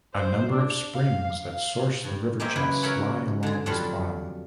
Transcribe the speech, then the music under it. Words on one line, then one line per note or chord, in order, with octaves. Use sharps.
A number of springs that source the River Chess lie along this bottom.
C5
D4
F5
F5
G2
A#3 G4 G#4 C5 D#5 E5
C#3 F#3 E4 B4
A#4 C#5 E5 F#5 G#5
D3 G#4
F2 F#3 G3 F4 A4 B5